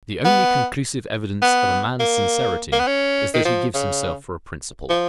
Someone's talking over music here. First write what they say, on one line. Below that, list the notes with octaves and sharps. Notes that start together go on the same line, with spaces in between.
The only conclusive evidence of a man's sincerity is that he gives himself for a principle.
B3
B3
A#3
A#3
B3
C#4
D#3
F3
C#3
F3